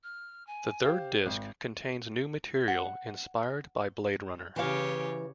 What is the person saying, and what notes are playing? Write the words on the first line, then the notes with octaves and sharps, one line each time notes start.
The third disc contains new material inspired by "Blade Runner".
F6
G#5
G4 C5 F5
G#1
F#5
C#3 E3 G4 C#5 F5